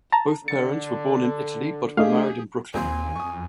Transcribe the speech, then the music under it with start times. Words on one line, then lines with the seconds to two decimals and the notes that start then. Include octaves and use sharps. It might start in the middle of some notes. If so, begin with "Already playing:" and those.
Both parents were born in Italy but were married in Brooklyn.
0.12 A5 A#5
0.48 D3 A6 C#7
1.97 A3 D4 G4 G#4 D#5 F5
2.74 D#2 A#2 C4 G#5
3.16 F2 C#6 D#6